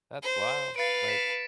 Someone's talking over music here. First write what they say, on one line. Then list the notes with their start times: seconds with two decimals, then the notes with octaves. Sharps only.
That's wild, like,
0.23 C5
0.76 B4 F5 A6 C#7 D7
1.08 B6 E7